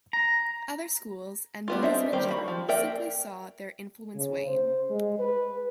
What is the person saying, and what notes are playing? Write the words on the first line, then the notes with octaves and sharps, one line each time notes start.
Other schools, and Buddhism in general, simply saw their influence wane.
A#5
G3 B3 F4
C4 D4 D#4 G#4 E5
D#3 G3 A#3 G4 C5
F#4 B5
F3
A#3 A#4 D5 E5 G5
C#3
C5
G#3
B4